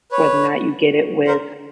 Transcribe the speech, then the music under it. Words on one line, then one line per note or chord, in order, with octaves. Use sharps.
whether or not you get it with
B4 C#5
A#4 C5